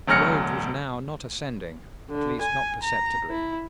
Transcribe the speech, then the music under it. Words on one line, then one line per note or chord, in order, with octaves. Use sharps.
The road was now not ascending, at least not perceptibly.
E1 D2 F#3 F6 A#6 C#7
D3
G#5
A#5
E4